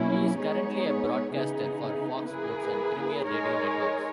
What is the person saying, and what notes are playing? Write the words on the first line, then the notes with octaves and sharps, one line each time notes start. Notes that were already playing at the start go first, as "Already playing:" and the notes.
He is currently a broadcaster for Fox Sports and Premiere Radio Networks.
Already playing: B2 F#3 A#3 C#4 E4
G#3 B3 D#4 G#4 C#5
C#3 E3 B3 D#4 G#4
A#3 E4 G#4 B4
G#3 D#4 A#4 C#5